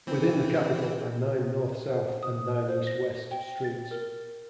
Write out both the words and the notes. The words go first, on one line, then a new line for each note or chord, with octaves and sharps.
Within the capital are nine north-south and nine east-west streets.
E3 C4
C5
D#6
C5
A#6
G5
A6
A#4